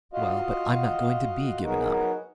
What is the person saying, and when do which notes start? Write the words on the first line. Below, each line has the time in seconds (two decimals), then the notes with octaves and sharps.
"Well, but I'm not going to be given up."
0.13 F4 F#4 D#5 F5
1.64 F#3 B3 D#4 F#4 G#4 A#4